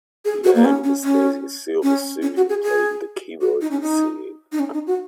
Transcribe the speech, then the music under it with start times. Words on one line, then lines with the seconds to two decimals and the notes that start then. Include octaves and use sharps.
A man in a snazzy silver suit is playing the keyboard and singing.
0.25 G#4
0.44 F#4
0.55 A#3
0.65 C#4
0.84 C#4
1.04 C#4
1.83 C#4
2.22 C#4
2.36 F#4
2.49 G#4
2.63 G#4
3.41 F#4
3.61 D#4
3.71 C#4
3.81 D#4
4.52 D#4
4.59 C#4
4.74 D#4
4.87 F#4